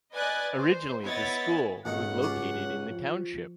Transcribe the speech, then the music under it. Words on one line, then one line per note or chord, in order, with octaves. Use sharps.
Originally this school was located in the township.
B4 D5 D#5 G#5 F#6 A6
C5
B3 E4 C#5 D#5 B5 A6
G#1 C#2 D#3 A3 D#4 F#5
C#4 F4 G4
F3